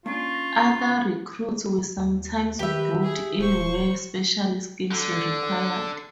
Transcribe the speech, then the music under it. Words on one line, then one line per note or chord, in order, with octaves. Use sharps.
Other recruits were sometimes brought in where special skills were required.
A#3 C#4 D4 F4 C#6
D#2
D#3 G4 B4 E5
G#4
D#1 C5 C#6
D3